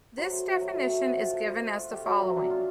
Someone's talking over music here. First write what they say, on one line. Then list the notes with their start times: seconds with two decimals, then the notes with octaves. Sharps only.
This definition is given as the following.
0.18 F#3 C5
0.31 A3
0.47 A3
0.61 F#3
0.76 A3
0.90 C4
1.05 C4 F#4
1.20 F4
1.33 A3
1.48 F4
1.63 F4
1.77 F4
1.92 A3 G4
2.06 F#3
2.22 F#3
2.35 D4
2.50 F4